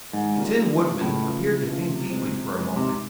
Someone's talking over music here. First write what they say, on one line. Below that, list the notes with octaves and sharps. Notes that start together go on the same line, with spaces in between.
The Tin Woodman appeared to think deeply for a moment.
G#2 D#3
G3 A#3 C#4 F4
D#3
G3 A#3 C#4 F4
A2 C#3
E3 A3 C#4 F4
C#3
E3 A3 C#4 F4
C3
E3 G#3 C4
C3
E3 G#3 C4
G#2 C3